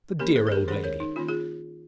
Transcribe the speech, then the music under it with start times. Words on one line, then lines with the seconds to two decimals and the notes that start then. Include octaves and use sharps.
The dear old lady!
0.19 D#3 A#3 C#4 G4 A#4
0.36 G#4 C5
0.47 G#4
0.52 G4 A#4
0.68 D#3 G#3 C#4 G#4 C5
0.84 A#4 C#5
1.00 D#4
1.16 D#3 A#3 C#4 F4
1.28 F4 G#4